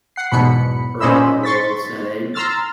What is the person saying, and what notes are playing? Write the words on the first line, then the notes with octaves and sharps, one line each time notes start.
ru a rural setting,
F#5 C7
B1 E2 G#2 B2 B5 C#7
A#2 C#4 C5 D#5 B5 E6
C6 C#6 A6 B6
A#5 C6 E6 F6 A6